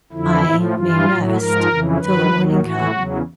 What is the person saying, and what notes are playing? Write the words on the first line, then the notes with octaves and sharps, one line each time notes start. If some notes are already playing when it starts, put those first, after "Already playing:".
I may rest till the morning comes.
F2 D3 F3 E4
A2 F3
G2 E3 F4
A2 F#3
G#2 F3 A#4
F2 C#3 E3
G2 D#3 F#3 B4
D#2 D#3 F#3
A2 E3 F#4
E2 C#3 F#3